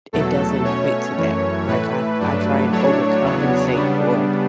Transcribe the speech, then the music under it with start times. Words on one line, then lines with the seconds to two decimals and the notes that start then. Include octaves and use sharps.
it doesn't equate to that, like, "I I try and overcompensate for
0.13 E2 B2 F#3 A3 A4
0.64 B2 A3 C#4 C#5
1.16 F#2 E3 A3 C#4
1.68 A2 E3 A3 B4
2.20 G2 F#3 A3 D4
2.72 A2 F#3 A3 D4 C#5
3.23 E2 C#3 F#3 B3 D4
3.76 C#3 G3 B3 D4